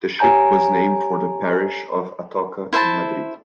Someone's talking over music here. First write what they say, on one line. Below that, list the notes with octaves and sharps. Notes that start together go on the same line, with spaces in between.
The ship was named for the parish of Atocha in Madrid.
G4 C#5 G#5 A#5 G6
E4 C5 E5 A5